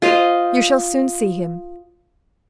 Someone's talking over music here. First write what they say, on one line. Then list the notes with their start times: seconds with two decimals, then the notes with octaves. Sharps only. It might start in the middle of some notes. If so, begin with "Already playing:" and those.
You shall soon see him.
0.02 F4 C5 D#5 F5